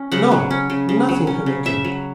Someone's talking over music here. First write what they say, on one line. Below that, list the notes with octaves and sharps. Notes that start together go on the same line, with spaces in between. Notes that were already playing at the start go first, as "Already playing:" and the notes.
No; nothing had occurred.
Already playing: C#4
C#3 F#5
F#3
C#4
C#3
C#3
F#3
C#4
C#3
C#3 E5
F#3